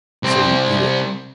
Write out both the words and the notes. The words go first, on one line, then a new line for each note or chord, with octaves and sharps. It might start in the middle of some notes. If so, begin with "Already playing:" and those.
So you eat it.
C2 C4